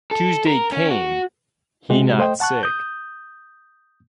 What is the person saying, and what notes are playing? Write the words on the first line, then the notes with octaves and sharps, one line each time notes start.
Tuesday came, he not sick.
A4
A#4
C#4
F#4
C3 G#3 F#4 G4
A3 C5 D#5 G5
F#5 A5 C#6 F#6
D#6 G6